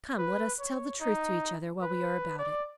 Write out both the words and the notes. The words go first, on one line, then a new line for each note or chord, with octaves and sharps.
"Come, let us tell the truth to each other, while we are about it."
B4
C#5
D#4
B4
D5